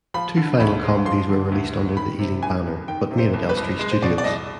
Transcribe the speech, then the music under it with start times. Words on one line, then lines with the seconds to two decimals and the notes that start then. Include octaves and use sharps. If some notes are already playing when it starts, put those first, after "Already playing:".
Two final comedies were released under the Ealing banner, but made at Elstree Studios.
0.14 F3 B5
0.37 D3
0.60 D2 B5
0.83 G#3
1.05 F3 C6
1.29 D3
1.52 D2
1.74 G#3
1.97 D#3 B5
2.19 C3
2.42 C2 G#5
2.66 C2
2.88 D#3 G5
3.11 C3
3.18 C5
3.34 C2
3.49 B4
3.57 C2
3.79 G#3
3.91 C5
4.02 B2 D5
4.18 D5
4.24 C2 D#5